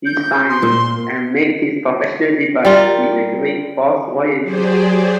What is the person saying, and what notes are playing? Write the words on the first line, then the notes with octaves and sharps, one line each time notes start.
He signed and made his professional debut with the Great Falls Voyagers.
G6
C6
A#2 C5
G3 F4 A#4
F#3 G4 G#4 C5 D5